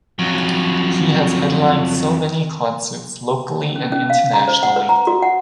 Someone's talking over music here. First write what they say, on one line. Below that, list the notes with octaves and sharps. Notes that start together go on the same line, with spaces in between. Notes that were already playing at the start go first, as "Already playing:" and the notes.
He has headlined so many concerts locally and internationally.
F2 F#3
C#4
C#4
F5
A#5
C5
F#5
B4
A#5
F#4
F#5